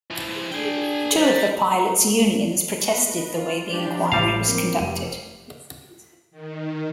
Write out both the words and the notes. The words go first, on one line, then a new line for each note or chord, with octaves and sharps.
Two of the pilots' unions protested the way the inquiry was conducted.
E3 F3
D4 G#4 G5
G3 C5
B4 D#5
F4
F3 D4 G4
A1 G3 F5
F3 A#3 C4
F1 D#7
D#3